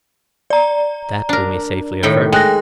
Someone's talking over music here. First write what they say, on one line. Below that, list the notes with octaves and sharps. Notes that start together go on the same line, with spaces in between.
That we may safely affirm.
D5 A#5
D4 A#4
A2 D#3 G5
G#3 G5 F#6 A#6